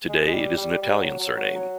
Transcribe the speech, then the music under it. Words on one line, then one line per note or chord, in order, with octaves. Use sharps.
Today it is an Italian surname.
G#3
G#3
G3
G3
G3
F#3
F#3
F#3
F#3